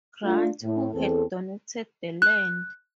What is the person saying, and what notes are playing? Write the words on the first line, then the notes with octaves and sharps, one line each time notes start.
Grant, who had donated the land.
A3 D4 F4
A2
E2 C4 A4
F#6